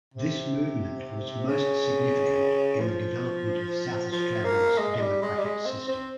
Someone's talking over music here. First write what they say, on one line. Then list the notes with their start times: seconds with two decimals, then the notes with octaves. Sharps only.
This movement was most significant in the development of South Australia's democratic system.
0.14 C3
1.47 C#3
2.80 F3
4.12 F3
4.45 A#3
4.78 G#3
4.96 G#3
5.00 G3
5.22 G#3
5.38 G3
5.44 G#3
5.66 C4
5.88 C4